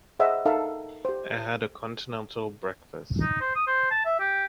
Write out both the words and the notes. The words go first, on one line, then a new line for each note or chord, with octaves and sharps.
I had a continental breakfast.
G#4 C5 D#5 E5 F#5
D#4 A4 A#4 E5 F5 A5
G4 C5
D#4
C5
D#6
C5
A5
E5
G4